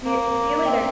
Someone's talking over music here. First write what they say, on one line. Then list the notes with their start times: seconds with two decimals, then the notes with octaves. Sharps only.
See y see you later.
0.05 A#3
0.65 C4